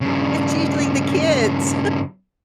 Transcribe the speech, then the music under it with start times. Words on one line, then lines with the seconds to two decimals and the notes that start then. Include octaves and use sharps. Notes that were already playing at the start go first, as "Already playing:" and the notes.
It's usually the kids.
0.01 G2 C#3